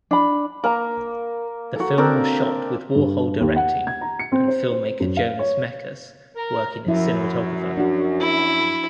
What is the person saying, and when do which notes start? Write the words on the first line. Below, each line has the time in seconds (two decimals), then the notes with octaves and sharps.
The film was shot with Warhol directing and filmmaker Jonas Mekas working as cinematographer.
0.11 D4 B5
0.64 A#3 A#4 A#5
1.76 F#4 A4
1.98 C4 D4 A#4
2.95 G2
3.40 D#2
3.56 F#5
3.87 G#6
4.01 A#5
4.19 C#7
4.32 C4
4.48 C5
4.71 C5
5.00 F#2
5.17 F5
5.39 C#5
6.36 A#4
6.87 F#2 F3 E4 E5
7.77 D4 F#4
8.21 E4